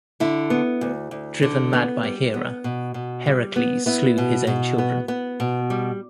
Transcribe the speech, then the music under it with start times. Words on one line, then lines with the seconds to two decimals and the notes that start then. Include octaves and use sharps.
Driven mad by Hera, Heracles slew his own children.
0.20 D3 E4
0.50 B3
0.81 D2
1.11 D2
1.42 D3
1.73 B3
2.03 G3
2.34 B3
2.64 B2
2.94 B2
3.26 G3
3.56 B3
3.86 B3 E4
4.18 B2
4.47 B2
4.78 B3
5.08 B3
5.40 B2
5.70 G3